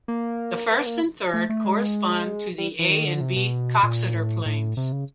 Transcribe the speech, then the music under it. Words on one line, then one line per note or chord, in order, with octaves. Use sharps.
The first and third correspond to the A and B Coxeter planes.
A#3
B3
A#3
A3
A3
G#3
G3
E3
D#3
D3
C3
B2
A#2
A2
A2
C3
C#3